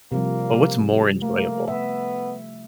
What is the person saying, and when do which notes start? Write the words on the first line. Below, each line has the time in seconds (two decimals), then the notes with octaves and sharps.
but what's more enjoyable?
0.12 C3 F3 G3 A#3
1.22 A3 A#3
1.68 B3 E5